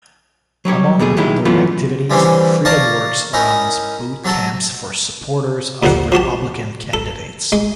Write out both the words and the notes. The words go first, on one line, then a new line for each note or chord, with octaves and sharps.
Among other activities, FreedomWorks runs boot camps for supporters of Republican candidates.
F#3 G3 G4 C#5
D#2 B2 A3 G#4
D#3 F#3 G#3 E4 G4
F#2 E3 A3 B3 C#4 F4
D3 E3 G3 C4 C#4 E4
C#5 D5 F5 A5 A#5
C#4 D#4 E4 A#4
F#3 F#4 A4
D#2 D3 F3 A#3 F#5
F3 F#4 G4 A5
A4
G#3